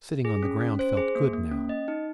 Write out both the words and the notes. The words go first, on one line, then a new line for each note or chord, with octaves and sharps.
Sitting on the ground felt good now.
G#4
C#4
C#4
C5
G#4
A#3
A#3
C#4
D#5
D#4